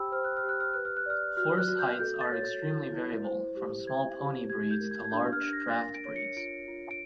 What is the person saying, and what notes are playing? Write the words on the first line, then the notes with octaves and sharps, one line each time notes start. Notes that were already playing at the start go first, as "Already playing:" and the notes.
Horse heights are extremely variable, from small pony breeds to large draft breeds.
Already playing: G4 C5 G5 B5 E6
C5 F6
F#6
F6
G4
F#6
F6
B4 F#6
F6
F#6
D5 F6
F#4 F6
F#6
F#4
G6
A4 G6
A6
C#5
A6
E4
E4
C5
G4
C5 G#6
G4
G4 G#6
G6
A#4
G#6
G#6
D4 G6
F6
D4
A#6
A6
A#4 A#6
D7
C#5
C#7
F4 D7
F4
D7